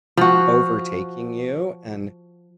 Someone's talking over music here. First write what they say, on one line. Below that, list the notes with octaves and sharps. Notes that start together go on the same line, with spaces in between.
overtaking you, and
F3 F#4